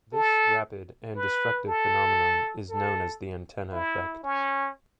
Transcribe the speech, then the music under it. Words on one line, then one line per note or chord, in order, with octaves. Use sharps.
This rapid and destructive phenomenon is known as the antenna effect.
A4
B4
A4
A4
E4
C#4